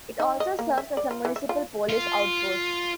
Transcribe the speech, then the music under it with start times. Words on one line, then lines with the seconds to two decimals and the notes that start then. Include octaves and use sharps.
It also serves as a Municipal Police Outpost.
0.20 D#4
0.40 D#5
0.59 A#3
0.78 E5
0.97 D5
1.11 F4
1.25 E3
1.36 E5
1.49 F4
1.90 F4